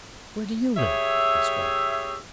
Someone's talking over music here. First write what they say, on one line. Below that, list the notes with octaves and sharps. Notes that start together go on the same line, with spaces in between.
"Where do you live?" asked Robin.
G4 G#4 C#5 E5